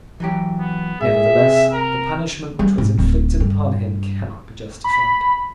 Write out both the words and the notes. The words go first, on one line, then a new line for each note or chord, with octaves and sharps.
Nevertheless the punishment which was inflicted upon him cannot be justified.
E3 F#3 G4
B3
G#2 G#4 E5
C3
A#4
G3 B3
G#2
D1 D#3
G2
B5